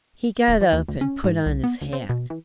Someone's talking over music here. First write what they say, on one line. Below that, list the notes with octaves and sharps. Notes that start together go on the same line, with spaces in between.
He got up and put on his hat.
D1
F3
D#2
D2
C#4
G#2
C2
B3
D2
C4
B2
E3